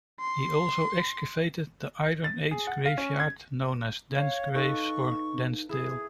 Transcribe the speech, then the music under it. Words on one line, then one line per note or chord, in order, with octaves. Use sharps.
He also excavated the Iron Age graveyard known as Danes Graves, or "Danesdale".
C6
A6
G#4
F#5
F5
C#4
G#6
C#5 F5
D#4 A4 B4 D#5 C#6
E4 G#4